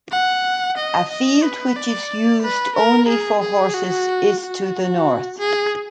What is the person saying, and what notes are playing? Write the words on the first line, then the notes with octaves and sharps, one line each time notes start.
A field which is used only for horses is to the north.
F#5
D#5
D#5
B4
D5
B4
A#4
G#4
G#4
F#4
F#4
G#4